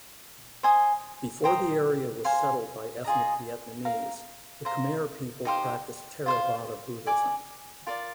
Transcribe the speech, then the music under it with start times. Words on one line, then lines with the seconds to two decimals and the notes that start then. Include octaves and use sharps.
Before the area was settled by ethnic Vietnamese, the Khmer people practiced Theravada Buddhism.
0.63 C5 D#5 G#5 D#6
1.44 C5 G5 A#5 D#6
2.25 C5 F5 G#5 C6
3.04 F4 G#4 D#5 A#5
3.85 A#4 F5 A#5
4.65 C5 F5 A#5
5.45 D#4 G4 C5 F5
6.26 F4 C5 F5
7.07 D5 G#5 D6
7.87 F4 A#4 D5